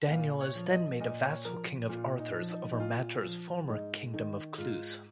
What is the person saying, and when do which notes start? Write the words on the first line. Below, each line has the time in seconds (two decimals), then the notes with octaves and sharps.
Daniel is then made a vassal-king of Arthur's over Matur's former Kingdom of Cluse.
0.10 A#2 F5
0.41 C#5
0.55 F3
0.70 D#5
1.00 A#2 D#5
1.22 C#5
1.45 F3 A#4
1.89 A#2 F4
2.19 D#4
2.35 F3
2.50 D#4
2.73 D#4
2.80 A#2 F4
3.24 F3
3.68 G#2 D#4
4.14 D#3 D#4
4.58 G#2 F4